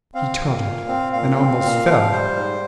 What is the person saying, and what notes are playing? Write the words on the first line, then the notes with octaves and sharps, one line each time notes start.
He tottered and almost fell.
C4 F5
A#2
A#2
C4
A#2 F5
C4
A#2
F3
G3 C5
G#2